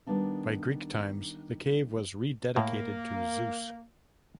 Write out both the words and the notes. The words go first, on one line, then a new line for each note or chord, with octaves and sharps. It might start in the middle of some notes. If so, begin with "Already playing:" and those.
By Greek times the cave was rededicated to Zeus.
D#3 E3 G3 B3 D4 D#4
A2 A#3